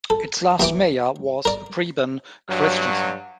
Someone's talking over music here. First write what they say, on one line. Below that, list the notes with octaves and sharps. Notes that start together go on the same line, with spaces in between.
Its last mayor was Preben Christensen.
A4
D#2 E3 D6
A#4 D5
G2 F#3